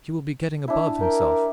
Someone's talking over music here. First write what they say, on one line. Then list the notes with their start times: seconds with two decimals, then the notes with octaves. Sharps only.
He will be getting above himself.'
0.68 D4 E4
1.01 A#4 G5